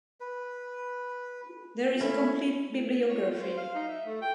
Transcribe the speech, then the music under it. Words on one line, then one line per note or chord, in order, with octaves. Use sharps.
There is a complete bibliography.
B4
A3 A#3 C#4 E4
C#5
F4
C5
F5
D#4
E5
A3
G5